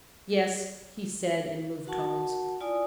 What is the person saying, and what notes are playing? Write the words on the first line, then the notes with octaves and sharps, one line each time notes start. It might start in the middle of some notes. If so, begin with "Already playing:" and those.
"Yes," he said, in moved tones.
F#4 A#4 F#5 A5 C#6
E4 F4 D5 G#5 D#6